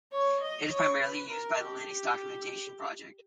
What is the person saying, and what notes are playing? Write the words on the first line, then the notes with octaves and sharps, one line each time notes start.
It is primarily used by the Linux Documentation Project.
C#5
D#5
C#5
B4
A#4
G4